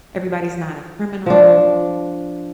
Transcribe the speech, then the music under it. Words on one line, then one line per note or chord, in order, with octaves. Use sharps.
everybody's not a criminal.
F3 D4